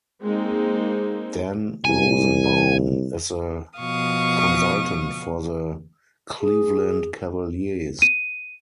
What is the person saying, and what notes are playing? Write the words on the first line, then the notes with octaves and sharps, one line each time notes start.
Dan Rosenbaum is a consultant for the Cleveland Cavaliers.
G#3 A#3 C4 D#4
C2 G#5
B2 F3 F5 C#6 D#6
G#4
D#7